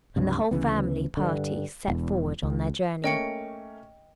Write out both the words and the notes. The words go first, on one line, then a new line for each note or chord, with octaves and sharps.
And the whole family party set forward on their journey.
C#2 G2 C3
D2 C#3 E3 B3
G2 D3
E1 E2
C#2
A3 A#3 C#4 D#5 G5 C#7